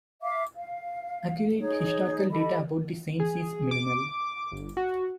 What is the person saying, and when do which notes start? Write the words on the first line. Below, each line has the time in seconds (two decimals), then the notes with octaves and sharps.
Accurate historical data about the saints is minimal.
0.22 E5 F5 D6
0.56 F5
1.57 D#4 G#4 C#5
2.30 G4 A4 D#5 B5
3.20 G#4
3.71 D6
4.52 G1
4.77 F#4